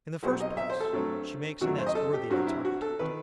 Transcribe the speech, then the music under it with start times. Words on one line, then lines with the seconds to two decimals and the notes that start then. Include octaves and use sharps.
In the first place, she makes a nest worthy of its architect.
0.23 B1 B2 G3 C4 C5
0.40 D#5
0.57 E5
0.70 C5
0.80 A4
0.93 G2 F#3 A3 C4
1.61 F#2 D#3 F#3 A3 F#4
1.78 C5
1.87 D#5
1.95 A4
2.13 G4
2.30 G2 F#3 C4 F#4
2.47 E4
2.65 F#4
2.82 A4
2.99 D#3 B4